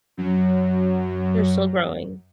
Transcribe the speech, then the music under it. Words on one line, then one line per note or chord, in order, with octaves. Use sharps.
They're still growing.
F#2 F#3